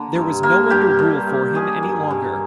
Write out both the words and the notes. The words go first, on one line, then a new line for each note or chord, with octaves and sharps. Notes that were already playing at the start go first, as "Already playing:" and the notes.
There was no one to rule for him any longer.
Already playing: D3 A#3
G2
A#3
G2 G4
G2
A#3
D#3 G#4
G2
G2